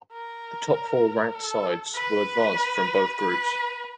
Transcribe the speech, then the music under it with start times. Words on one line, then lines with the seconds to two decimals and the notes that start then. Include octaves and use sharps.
The top four ranked sides will advance from both groups.
0.12 A#4
1.34 A4
1.94 B4
3.16 B4